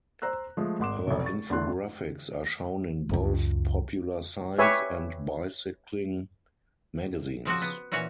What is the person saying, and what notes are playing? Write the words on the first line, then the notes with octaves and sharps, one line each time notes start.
Her infographics are shown in both Popular Science and Bicycling magazines.
C5 A#5 E6 F#6
F3 G#3 A3
G#1 G#3 F#5 C6 D6 E7
F1 B1
C#6 A6
E2 D3 A3 E4 C6 F#6
C#2 F#2
G4 B4 C#5 E5 G#5
C#3 F3 C4 F#4
B3
A#2 E3 C#4 F#4 C#5